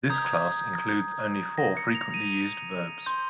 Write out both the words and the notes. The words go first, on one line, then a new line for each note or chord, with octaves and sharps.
This class includes only four frequently used verbs.
A#5 D#6 G6 G#6
A#6
C#7
F7
D#7
C6 G6